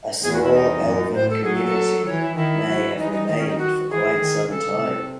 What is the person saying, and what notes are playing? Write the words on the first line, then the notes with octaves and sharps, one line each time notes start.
A small Elven community may have remained for quite some time.
E2 G#4
F#4
E4
D#4
F#2
A2 C5
A4
F#3 G#4
A4
A4
E3 C#5
E4
D#3 E4
F#3
E3 D#4
D#4
D#3 D#4
C#4
D#4
F#4
E3 G#4
D#3
C#3 A4
C3